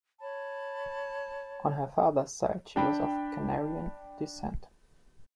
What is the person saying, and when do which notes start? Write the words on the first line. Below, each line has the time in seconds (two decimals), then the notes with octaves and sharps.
On her father's side, she was of Canarian descent.
0.21 C#5 A5 B5
2.76 D4 G5 B5